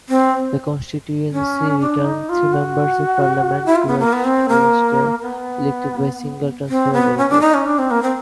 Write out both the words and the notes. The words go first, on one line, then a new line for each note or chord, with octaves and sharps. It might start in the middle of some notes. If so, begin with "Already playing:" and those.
The constituency returned three Members of Parliament to Westminster, elected by Single Transferable Vote.
C4
C#4
D4
D#4
F4
F#4
E4
F4
B3
A#3
B3
C4
A#3
B3
C4
B3
C#4
D4
D#4
C#4
D4
C4
A#3
C4